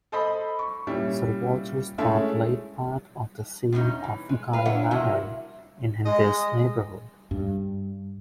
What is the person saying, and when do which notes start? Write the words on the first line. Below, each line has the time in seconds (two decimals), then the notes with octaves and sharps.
Sir Walter Scott laid part of the scene of "Guy Mannering" in this neighborhood.
0.12 A4 C5 D#5 B5
0.59 C#6
0.87 A#2 G3 C#4 E4
1.98 G#3 A3 C#4 E4 A4 E5
3.72 E2 B2 C#4 D#4
4.04 E3
4.29 G#3
4.53 B4 F5
4.65 A#3 D4 C#5 E5 F#5
4.91 F2 A2 C3 A#3 E4 F#4
6.05 G#3 D#5
7.31 G2